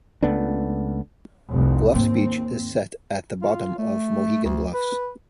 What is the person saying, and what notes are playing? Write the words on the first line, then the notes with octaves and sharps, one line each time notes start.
Bluffs Beach is set at the bottom of Mohegan Bluffs.
C#2 A3 B3 D4
F1 C2
D#2 G#2 A#3 C4
F4
A3
D2
B4